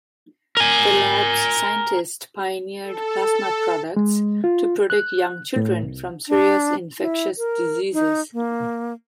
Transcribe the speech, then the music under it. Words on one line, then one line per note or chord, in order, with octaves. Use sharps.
The lab's scientists pioneered plasma products to protect young children from serious infectious diseases.
A#4 G#5
A4
G#3
F4
F#6
A2
C2
D4
E4
A#4
D#4
A#3